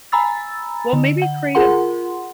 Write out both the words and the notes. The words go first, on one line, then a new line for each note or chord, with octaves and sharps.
Well, maybe create a
G#5 A#5 B5 E6 A6
D3
F#5
F4 G#4 A#4 F#5 C6